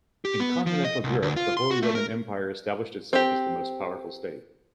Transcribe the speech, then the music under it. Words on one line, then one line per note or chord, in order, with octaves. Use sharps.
In continental Europe, the Holy Roman Empire established itself as the most powerful state.
G4
B3
F3
D#5
C2
D2
F4
C6
F#4
A3
A#4
C4 G4